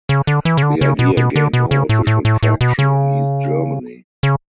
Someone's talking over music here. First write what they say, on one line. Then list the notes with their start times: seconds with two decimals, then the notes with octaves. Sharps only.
The idea gained no official traction in East Germany.
0.09 C#3
0.27 D3
0.45 E3
0.57 C#3
0.63 D3
0.81 C#3
0.99 B2
1.17 B2
1.36 D3
1.53 B2
1.71 C#3
1.89 A2
2.07 A2
2.25 A2
2.43 A2
2.61 B2
2.79 C#3
4.23 C#3